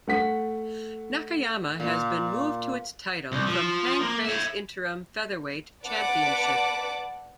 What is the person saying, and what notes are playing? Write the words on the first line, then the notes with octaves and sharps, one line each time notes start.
Nakayama has been moved to its title from Pancrase Interim Featherweight Championship.
A3 F#5 B6
A#2
C2
F3
A#3
C#5 E5
B4 D5 F#5 A5 D6